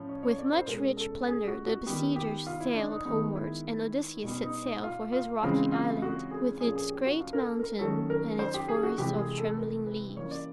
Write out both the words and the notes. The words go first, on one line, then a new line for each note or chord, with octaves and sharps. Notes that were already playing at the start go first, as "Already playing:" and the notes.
With much rich plunder the besiegers sailed homewards, and Odysseus set sail for his rocky island, with its great mountain, and its forests of trembling leaves.
Already playing: A2 F3 C#4
C#5
C#5
D5
C5
B2 G#3 C#4 A#4
A4
G#4
F#4
F#4
D#3 G3 B3 G4
G4
F4
E4
D4
D#4
D#3 G#3 B3 D#4
E4
B2 G3 B3 D#4
D#4
D#4
F4
F4
C#3 E3 G#3 C4 F4
F4
F#4
G#4
A#2 F3 A#3 C#4 G#4
G#4
G4
F#4
F4
A#4
A4
A#4
D#3 F#3 A3 C#4 A4
A#4
C5
G4
G#4
F#4
C3 E3 G#3 C4 G4
G#4
A4
A#4
B4
E3 G3 A#3 C#4 C#5
D5